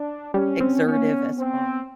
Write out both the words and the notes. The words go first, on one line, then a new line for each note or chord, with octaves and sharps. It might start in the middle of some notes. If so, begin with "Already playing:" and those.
exertive, as far
Already playing: D4
G3 C#4
C4
B3 C#4
A#3
B3
C4